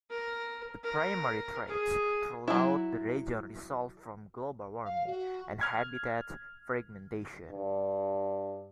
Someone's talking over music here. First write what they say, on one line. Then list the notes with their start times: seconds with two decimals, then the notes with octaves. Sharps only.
The primary threats throughout the region result from global warming and habitat fragmentation.
0.10 A#4
0.84 A#4
1.67 G#4
2.48 F#3 E4
4.84 F5
5.06 F#4
5.61 F6 G#6
7.51 G2